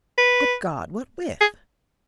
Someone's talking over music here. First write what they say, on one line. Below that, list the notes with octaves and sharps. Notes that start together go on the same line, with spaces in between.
'Good God! what with?'
B4
G#4